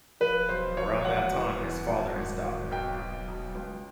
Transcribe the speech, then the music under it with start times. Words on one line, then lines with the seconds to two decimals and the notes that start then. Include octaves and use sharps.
Around that time his father has died.
0.20 F3 B4
0.49 B1 C5
0.77 F3 C#5
1.04 E1 F#5
1.33 E2
1.60 E2
1.88 G#1
2.16 G#1
2.43 G#1
2.71 B1 G5
2.99 B1
3.28 B1
3.55 C#2